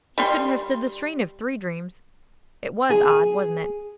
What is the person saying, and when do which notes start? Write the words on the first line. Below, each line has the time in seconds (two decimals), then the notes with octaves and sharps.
He couldn't have stood the strain of three dreams. It WAS odd, wasn't it?
0.18 G3 C6
2.91 G#4